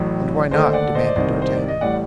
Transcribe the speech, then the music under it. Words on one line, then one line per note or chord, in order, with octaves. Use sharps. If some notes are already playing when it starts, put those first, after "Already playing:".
"And why not?" demanded d'Artagnan.
Already playing: A1 A2 F#3
D#2 D3 A3 D4 C5 D#5
D5 F#5
C5 D#5
D5
C2 C3 D#3 C5 D#5
C5
D5
D#5
A1 A2 G3 D5 F#5